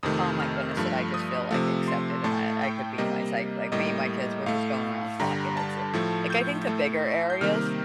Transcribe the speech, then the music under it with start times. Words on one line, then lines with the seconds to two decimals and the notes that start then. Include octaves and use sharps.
oh my goodness, did I just feel, like, accepted and I I could be my psyche like, me, my kids were just going around talking it's, uh like, I think the bigger areas
0.03 F2 C3 D#3 A3 D#6
0.40 F6
0.77 G2 F3 A3
1.14 D#6
1.51 C3 F3 A3
1.88 C6
2.24 A2 A3 A5
2.62 G5
2.98 C3 G3 A#3 D#5
3.72 A2 G3 A#3 D#5
4.46 A2 A3 F5
5.19 G2 D3 G3 A#5
5.57 A5
5.93 A2 F3 A3
6.30 G6
6.67 A2 A3
7.30 G6
7.41 C3 D#3 G3 A#3 F6